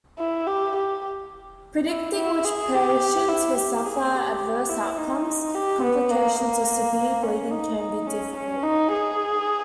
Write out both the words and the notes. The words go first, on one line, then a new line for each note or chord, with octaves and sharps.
Predicting which patients will suffer adverse outcomes, complications or severe bleeding can be difficult.
E4
G4
G4
E4
E4
G#4
G4
E4
G4
G#4
G4
E4
D#4
G4
B3
A#3
A#3
C#4
D#4
D#4
C#4
C#4
D#4
G#4